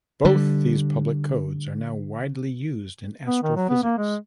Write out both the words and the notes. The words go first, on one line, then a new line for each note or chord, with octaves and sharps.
Both these public codes are now widely used in astrophysics.
D3 G3
B3
D#3
F#3
B3
A#3
G#3